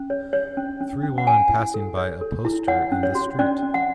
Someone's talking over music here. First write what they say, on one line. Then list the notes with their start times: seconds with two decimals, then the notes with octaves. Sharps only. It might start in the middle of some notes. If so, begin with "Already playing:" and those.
Three woman passing by a poster in the street.
Already playing: C#4
0.10 C#5
0.33 C#5
0.57 C#4
0.80 C#4
1.03 C#4
1.18 F#5
1.27 C#5 G#5
1.50 E4
1.74 A4
1.97 C#5
2.21 A4
2.45 E4
2.68 C#5 F#5
2.92 C#4
3.03 C#5
3.15 F#4
3.39 C#4 D5
3.63 C#4
3.74 F#5